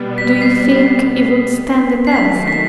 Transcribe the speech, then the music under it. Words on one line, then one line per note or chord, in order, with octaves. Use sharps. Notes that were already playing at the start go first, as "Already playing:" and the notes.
"Do you think he would stand the test?"
Already playing: B2 G3 B3
B6
C7
C7
D#3 F#3 A3 B6
B6